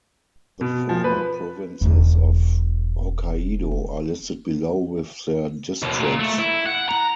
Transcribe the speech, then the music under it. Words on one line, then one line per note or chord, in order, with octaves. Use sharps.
The former provinces of Hokkaido are listed below with their districts.
B2
F3
B4
E1 D3
D#2 B2
A#2
A3
E4
F#5
A#5